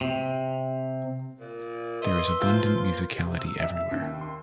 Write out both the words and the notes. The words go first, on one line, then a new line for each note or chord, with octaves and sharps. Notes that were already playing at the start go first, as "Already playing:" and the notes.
There is abundant musicality elsewhere.
C3
A#2
B4 D#5 E5 C6
F3 A#3
C3
E6
E5
D#2
C6